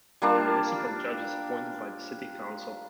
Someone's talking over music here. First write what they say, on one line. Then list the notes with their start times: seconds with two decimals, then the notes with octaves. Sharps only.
The Municipal Judge is appointed by the City Council.
0.22 G3 A#3 D4 F4